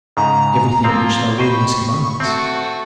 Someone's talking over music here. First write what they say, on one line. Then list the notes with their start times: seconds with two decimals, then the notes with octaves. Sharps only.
"Everything which thy worthiness commands."
0.17 G#2 C#3 A#5
0.84 F3 A#3 C4 F4 F5
1.38 C5 D#5 G5 B5 C#6
2.20 A3 C4 F#4